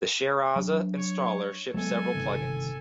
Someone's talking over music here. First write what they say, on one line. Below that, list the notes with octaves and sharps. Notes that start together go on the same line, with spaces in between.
The Shareaza installer ships several plugins.
F#3 D4
C#5
F#3 G#3 B3 A4 G#5
G1 C3 D#3